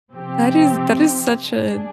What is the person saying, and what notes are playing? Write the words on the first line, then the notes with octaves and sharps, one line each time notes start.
That is that is such a
C3 F3 C4 G4
G3 D4 G#4